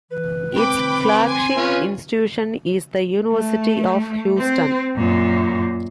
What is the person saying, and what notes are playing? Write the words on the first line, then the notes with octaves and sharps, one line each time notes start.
Its flagship institution is the University of Houston.
E3 B4
C4 G5 B5 D6
G#5 C6
C#4 F4 B4
A3
C4
F#2 A#2